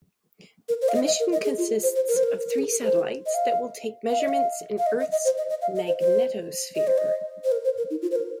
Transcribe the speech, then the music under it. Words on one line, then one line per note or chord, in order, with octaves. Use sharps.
The mission consists of three satellites that will take measurements in Earth's magnetosphere.
A#4
C5
F5
D#5
D#5
A#4
D#5
G#4
F4
C5
C5
A#4
C5
A#4
A#4
G#4
A#4
C5
D#5
F5
F5
D#5
F5
F5
D#5
D#5
D#5
C5
D#5
D#5
F5
D#5
C5
C5
D#5
C5
D#5
C5
A#4
C5
A#4
D#4
F4
C5
A#4